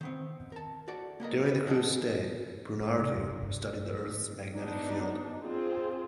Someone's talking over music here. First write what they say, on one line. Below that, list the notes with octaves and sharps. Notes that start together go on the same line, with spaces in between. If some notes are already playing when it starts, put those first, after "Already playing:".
During the crew's stay, Prunariu studied the Earth's magnetic field.
D#3 B3 C4
A#4 A5
F#4 A4 D5
A#3 B3 A#4 D#5
G4 B4
F#4 G#4 A4 D#5
D4
C3
D#2
B2
G2
B3 D4 D#4
C4 F4 G#4